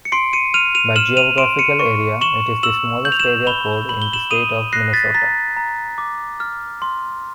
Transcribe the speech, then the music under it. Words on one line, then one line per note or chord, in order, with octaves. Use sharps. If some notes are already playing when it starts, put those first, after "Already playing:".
By geographical area, it is the smallest area code in the state of Minnesota.
C#7
C6 C7 D7
C#7 D#7
F6 D#7 F7
D#7 F7
F6 E7 F#7
D#7 F7
C6 D7 E7
C#7 D#7
C#6
C#6 E7 F#7
E6 E7 F#7
G6 F#7
F7
E7 F#7
B5 F7 G7
B5 F#7
G7
E7 F#7
D#6 D#7 F7
F#6 A#6 C7
A6 B6
A#5 A6 B6
A#5
D6
F6
C6